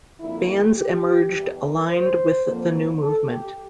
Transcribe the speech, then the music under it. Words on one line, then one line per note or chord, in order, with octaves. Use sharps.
Bands emerged aligned with the new movement.
F2 D3 G3 A#3 E4
G4
G4
E2 E3 G3
A#4
C5
F2 D3 F3 A#3
C5
A4
G4